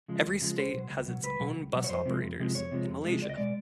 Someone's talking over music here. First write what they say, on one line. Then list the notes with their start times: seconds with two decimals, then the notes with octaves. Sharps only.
Every state has its own bus operators in Malaysia.
0.08 C#3 F3 G#3
0.25 D#2
0.42 C#3 F3 G#3
0.58 C#2 C5
0.74 B2 F#3
0.90 C#2
1.08 B2 F#3
1.23 C#2 B4
1.40 B2 F#3
1.57 C#2
1.73 B2 F#3
1.84 C#5
1.89 F2 C5
2.06 C3 F3 G#3
2.22 F2
2.40 C3 F3 G#3
2.55 F2 C#5
2.72 C3 F3 G#3
2.88 F2
3.05 C3 F3 G#3
3.21 C#2 D5
3.29 D#5
3.37 B2 G#3 D5